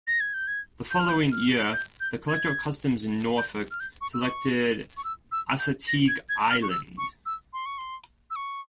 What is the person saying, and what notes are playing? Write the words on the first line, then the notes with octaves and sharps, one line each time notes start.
The following year, the Collector of Customs in Norfolk selected Assateague Island.
A#6
G#6
G6
G#6
G6
F6
G6
F6
G6
G6
G#6
G6
F6
G6
C#6
E6
C#6
C#6
E6
E6
G6
A#6
G#6
G#6
F6
C#6
E6
C#6
E6
C6
C#6
C6
E6
C#6